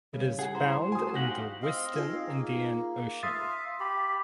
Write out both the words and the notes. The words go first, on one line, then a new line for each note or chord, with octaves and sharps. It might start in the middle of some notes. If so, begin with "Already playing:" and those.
It is found in the western Indian Ocean.
C#3 G3
G#4 F#5
E4 C5 A#5
A3 F#4 G#5 D#6
D#4 G4 F5 F#5 A#6
C4 D#5 F5
D#4 F4 G#4
A#3
E5 F5 C6 D#6 A6
G4 B5